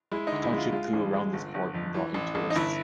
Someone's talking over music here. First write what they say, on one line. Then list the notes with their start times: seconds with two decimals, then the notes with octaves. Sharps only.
A township grew around this port, and brought in tourists.
0.12 G#3 E4
0.27 D2 D#4
0.42 E4
0.53 G#3 F4
0.72 G#3 F4
0.93 A1
1.13 G#3
1.33 G1
1.54 G1
1.74 F2
1.94 E3
2.14 A1
2.35 A1
2.50 D#4
2.55 G1 E4